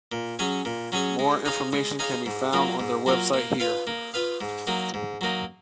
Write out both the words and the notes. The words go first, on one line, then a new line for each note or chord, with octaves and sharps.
More information can be found on their website here.
A#2
F#3 C#4 G#4 C#5
A#2
F#3 C#4 G#4 C#5
G#3
D#4 G#4 C#5 F5
G#3
D#4 G#4 C#5 F5
G#2
F#3 A#3 F4
G#2
F#3 A#3 F4
A#3
F4 B4 F5
A#3
F4 B4 F5
G#2
F#3 A#3 D#4
G#2
F#3 A#3 D#4